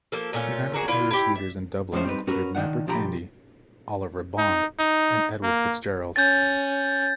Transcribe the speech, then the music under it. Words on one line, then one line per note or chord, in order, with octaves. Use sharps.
United Irish leaders in Dublin included Napper Tandy, Oliver Bond and Edward Fitzgerald.
F3 A#3 A4
A#2 A3 C#4 F4
A#3 D4 F#4 G#4
D3 E4 F4 F5
E4 G4
E5
F2 A2 F3 G#3 C#4 C5
G3 C4 D#4 B4
C#4 F#4 A#4 B4
C#2 D#3 C4 D4 F#5
B1 F3 D4 G4 A#5 B5
D#4
D#4
A#3
C#4 G6 A6